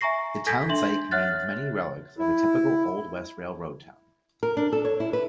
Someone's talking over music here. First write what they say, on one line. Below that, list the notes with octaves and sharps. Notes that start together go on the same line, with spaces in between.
The town site contains many relics of a typical old west railroad town.
E5 G#5 A#5 C#6 A#6 C7
A4 G#5 G6 G#6 A#6 B6
D4 E5 C6 F#7
C#5 E5 F#5 F6 F#6 A6
E4
A#4
D4
A4
C#5
E4
B4